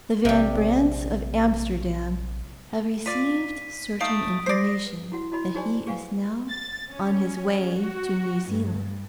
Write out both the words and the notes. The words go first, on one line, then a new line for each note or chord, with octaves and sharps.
The Van Brandts of Amsterdam have received certain information that he is now on his way to New Zealand.
A#1 C3 G3
F4 D5 B6 D#7
A3 D#4 F5 D#6 D7
C5 D5 A#6 C7
B4
E4 F#4 F#5
E4 F#4 D#5 B5
D#4 F#4 G#4 C5 D5 G#5
G#4 B4 F5 F#5 G#5
A6
C#4
F#4
G2